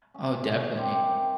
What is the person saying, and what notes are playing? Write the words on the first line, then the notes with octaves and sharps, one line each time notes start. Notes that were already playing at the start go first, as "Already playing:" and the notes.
Oh, definitely.
C#4
C#6
C3 D#3 G3 C5